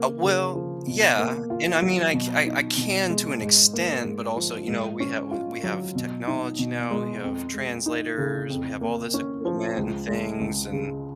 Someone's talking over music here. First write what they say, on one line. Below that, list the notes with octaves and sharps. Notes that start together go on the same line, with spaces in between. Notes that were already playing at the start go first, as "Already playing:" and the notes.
Uh well, yeah, and I mean, I c I I can to an extent, but also, you know, we have we we have technology now, we have translators, we have all this equipment and things and
Already playing: C#3 A#3
C#3
F3
B2
A#3
F4
F#3
B2
D#4
B2
G#3
G#2
A#3
G#2
F3
G#2
C#4
F4
F#3
B2
D#4
B2
G#3
F2
G#3
D#4
C#3
F2
A#3
C#4
F3
C#2
G#3
C#2
C#3